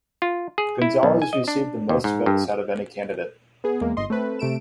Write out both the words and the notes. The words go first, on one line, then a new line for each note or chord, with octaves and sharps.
Gonzalez received the most votes out of any candidate.
F4
G#4
E4
B1
G#5
D#5
D4
D#2
G#2
G2
B3 G#4
E2 G#3 A#3
G1 D#5 C6
A3 C4 B4
C3 A3 D7 E7